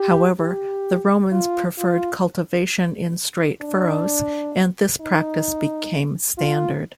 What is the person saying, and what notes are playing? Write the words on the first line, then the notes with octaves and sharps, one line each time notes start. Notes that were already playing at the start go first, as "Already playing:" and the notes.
However, the Romans preferred cultivation in straight furrows and this practice became standard.
Already playing: G4
G4
F4
F4
D4
D#4
F4